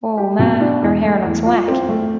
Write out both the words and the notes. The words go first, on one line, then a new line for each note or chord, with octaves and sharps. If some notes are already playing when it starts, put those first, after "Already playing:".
Woah, ma, your hair looks wack.
G4
B2
D4
E2
A3
E2
F4
C4
A3